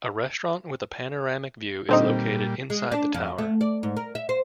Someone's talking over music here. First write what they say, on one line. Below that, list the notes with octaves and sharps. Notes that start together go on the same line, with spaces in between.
A restaurant with a panoramic view is located inside the tower.
A#2 D3 G3 C4 D#4
G#3
D4
F2
A3
D5
G#2
A#4
E5
C5